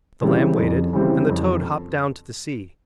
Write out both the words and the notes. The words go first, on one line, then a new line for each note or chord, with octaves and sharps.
The lamb waited and the toad hopped down to the sea.
C#3 E3 G3 C4
F2
C#3 E3 G3 C4
F2